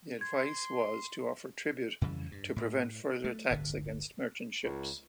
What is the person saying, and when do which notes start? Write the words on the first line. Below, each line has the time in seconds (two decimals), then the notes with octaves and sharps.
The advice was to offer tribute to prevent further attacks against merchant ships.
0.21 C6 G#6
2.01 F2 C#3 E3 G3
2.32 G2
2.56 A2
3.24 A3
3.50 D1 G1 B2 D3
4.64 C#2